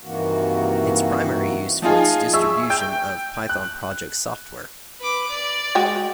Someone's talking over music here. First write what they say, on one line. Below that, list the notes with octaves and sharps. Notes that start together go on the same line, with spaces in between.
Its primary use is for distribution of the Python project software.
G2 C3 D#3 E3 A#3 F#4
F3 D#4 F4 G#4
G#4 E5 C#6 E6
G5 G6
F#6
B4 D6
D5
G#3 F#4 G5